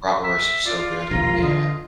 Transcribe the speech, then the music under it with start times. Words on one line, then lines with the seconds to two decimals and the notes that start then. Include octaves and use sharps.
Bratwursts are so good, yeah.
0.24 E5
0.66 F4 D5
1.11 E1 A#1 D#2 A#5
1.42 D3 D#5